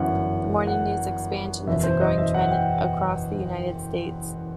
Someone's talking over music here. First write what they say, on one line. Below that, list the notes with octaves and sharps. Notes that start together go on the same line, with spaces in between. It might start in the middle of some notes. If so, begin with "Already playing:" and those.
The morning news expansion is a growing trend across the United States.
Already playing: G1 F#2 E3 F#5
F#5
F#1 E2 B2 E5
C5
D#5
E5
F#5
G5